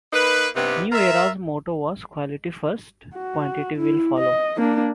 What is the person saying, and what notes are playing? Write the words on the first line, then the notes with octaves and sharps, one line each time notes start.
New Era's motto was "Quality First, Quantity Will Follow".
A#3 D#4 B4
G2 C3 B3 D#4 G4
F4 A#4 E5
F#4
E4
D#5
A#3 D4